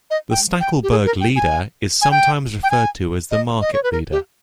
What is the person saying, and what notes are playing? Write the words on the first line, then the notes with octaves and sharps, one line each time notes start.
The Stackelberg leader is sometimes referred to as the Market Leader.
D#5
G5
G5
G4
G#4
A#4
G5
G#5
G#5
G5
G5
G#5
D#5
D#5
C#5
B4
A#4
G4